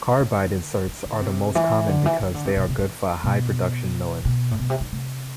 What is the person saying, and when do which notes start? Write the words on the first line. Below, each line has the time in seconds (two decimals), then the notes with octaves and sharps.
Carbide inserts are the most common because they are good for high production milling.
0.20 D3
0.87 D3
1.04 D3
1.21 C3
1.55 E3
1.88 D3
2.06 E3
2.22 E3
2.34 D3
2.45 C3
2.56 B2
2.68 C3
2.79 E3
3.23 B2
4.25 B2
4.51 A2
4.59 B2
4.70 C3
4.81 D3
4.92 C3